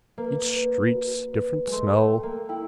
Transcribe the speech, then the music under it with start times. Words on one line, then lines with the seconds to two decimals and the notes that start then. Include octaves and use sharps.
Each street different smell.
0.18 A#3 B4
0.56 B4
0.95 F#4
1.33 B4
1.67 G#3
1.72 A3 C6
1.98 A3
2.10 G5
2.23 A#3
2.49 E4 G5